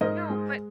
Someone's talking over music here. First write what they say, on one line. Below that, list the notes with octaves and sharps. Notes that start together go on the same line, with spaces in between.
No, but
G#2 A#4 D#5
G#3